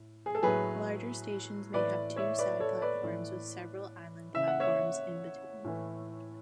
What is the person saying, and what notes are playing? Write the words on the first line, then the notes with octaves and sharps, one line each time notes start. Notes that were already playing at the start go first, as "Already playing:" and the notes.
Larger stations may have two side platforms with several island platforms in between.
Already playing: A2
G#4
A4
A2 F#3 G#4 B4
A2 E3 B4 D5
C#5 E5
B4 D5
A4 C#5
B4 D5
A2 E3
C#3 E3 E5
F#5
C#5 E5
A2 E3